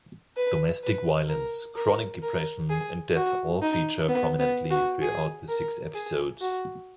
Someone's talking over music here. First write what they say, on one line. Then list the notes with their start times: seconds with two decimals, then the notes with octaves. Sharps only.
Domestic violence, chronic depression and death all feature prominently throughout the six episodes.
0.36 B4
0.83 B4
1.29 A#4
1.76 A#4
2.23 A#4
2.69 G#4
3.16 F#4
3.62 D#4
4.08 B3
4.39 B3
4.71 F#4
5.02 G#4
5.48 A#4
5.95 G#4
6.41 F#4